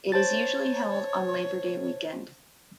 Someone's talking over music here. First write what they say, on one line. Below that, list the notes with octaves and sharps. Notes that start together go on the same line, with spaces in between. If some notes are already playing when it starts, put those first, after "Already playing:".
It is usually held on Labor Day weekend.
C5 C#5 A5 A6